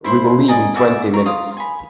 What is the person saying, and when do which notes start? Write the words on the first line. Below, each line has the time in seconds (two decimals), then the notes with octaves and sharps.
We will leave in twenty minutes.
0.04 E4 C5 B5 C6
0.48 D5 D#5 G#5 A#5
0.75 F#4 G#4 D5 E5
1.14 A#4 C#6
1.26 F4 F5 D#6
1.57 G#5 B5